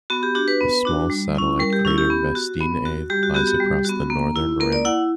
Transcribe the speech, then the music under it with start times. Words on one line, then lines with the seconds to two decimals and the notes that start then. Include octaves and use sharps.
The small satellite crater Vestine A lies across the northern rim.
0.10 B3 F#4
0.23 G4
0.35 D4 F#4 G4
0.48 B4
0.61 B3
0.85 D4 F#4
1.10 G3
1.35 C#4 E4
1.60 G3 A#4
1.73 G4
1.85 C#4 E4
1.98 G4
2.10 B3
2.35 F#4
2.61 B3
2.85 F#4
3.10 G3 G4
3.23 F#4
3.34 B3 F#4 G4
3.47 G4
3.60 G3
3.85 B3 F#4
4.10 A#3
4.36 E4
4.60 A#3 A#4
4.73 D5
4.85 E4 F#5